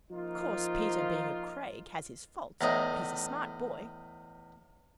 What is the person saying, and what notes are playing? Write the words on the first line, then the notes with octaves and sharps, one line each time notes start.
Of course, Peter, being a Craig, has his faults, but he's a smart boy.
F3 A#3 D#4 F4
E2 A2 D#4